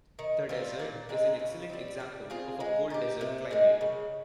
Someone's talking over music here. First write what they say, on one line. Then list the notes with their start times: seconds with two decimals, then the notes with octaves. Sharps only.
The desert is an excellent example of a cold desert climate.
0.19 D#3
0.49 G3 C4 F4
0.79 A#2
1.09 G#3 C4 D#4
1.39 C#3
1.69 G3 C4
2.00 G3
2.30 C4 F4 G#4
2.60 G#3
2.90 D#4 G4
3.21 C3
3.51 D#3 G#3
3.81 C#3